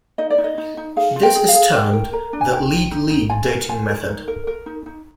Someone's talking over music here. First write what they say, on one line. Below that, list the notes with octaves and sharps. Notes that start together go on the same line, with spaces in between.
This is termed the lead-lead dating method.
D#4 D#5
D5
D#4
D#5
D#4
D#4
G#4 F5
F4
G5
G#4
F5
G#4
A#4 G5
A#4
A#4 A#5
D4
G#5
D#4 G5
D#4
D#4
D#4
F4 G#5
A#4
F4 G#5
A#4
D#4
A#4
A#4
D#4
D#4